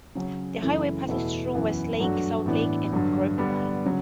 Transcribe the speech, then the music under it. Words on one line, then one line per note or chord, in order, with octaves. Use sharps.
The highway passes through Westlake, Southlake, and Grapevine.
C#3 F#3 C#4
F#2 C#3 E3 A3 E4
E2 B2 A3 E4
F#2 E3 B3
G2 F#3 A3 D4 F#4
A2 E3 B3 D4
G2 D3 F#3
D3 G3 B3 D4
C#3 F#3